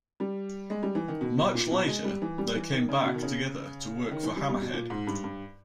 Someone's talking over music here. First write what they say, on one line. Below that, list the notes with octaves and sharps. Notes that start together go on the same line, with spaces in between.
Much later, they came back together to work for Hammerhead.
G3
G#3
G3
E3
D#3
B2
B2
A#2
B2
G#3
G3
E3
G3
E3
D#3
C#3
B2
D#3
C#3
D#3
E3
G3
G3
B2
A#2
G#2
G2
G2